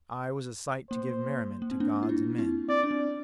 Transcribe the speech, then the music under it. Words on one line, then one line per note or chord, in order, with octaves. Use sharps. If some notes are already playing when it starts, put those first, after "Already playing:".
I was a sight to give merriment to gods and men.
A#3 C5
A#3
C4
A#3 D4
E4
D4 F4
C4 E4
C4 D5
D4
C4